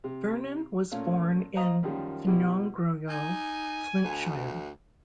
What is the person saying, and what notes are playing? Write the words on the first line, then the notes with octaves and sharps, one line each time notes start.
Vernon was born in Ffynnongroew, Flintshire.
C3
A#2 A3 C#4 F5
C5 D#5 F5 A#5 D#6
F#2 D#3 F3 G3
B2 G3 E4 G4
D#4 G#5
D2